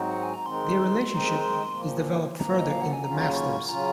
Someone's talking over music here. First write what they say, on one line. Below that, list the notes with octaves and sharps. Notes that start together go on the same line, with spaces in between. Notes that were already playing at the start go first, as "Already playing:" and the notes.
Their relationship is developed further in "The Masters".
Already playing: G#2 F#3 C4 D#4 F#4
F#5
G#5
A#5
D#3 G#3 C4 D#4 C6
D#3 G#3 C4 D#4
A#2 F3 A#3
A#2 F3 A#3 A#5
D#5
F5
F#5
G#5
D#2 C#3 F#3 C#4 F4 A#5
A#5
C#6
C#6
C#3 F#3 C#4 F4 A#5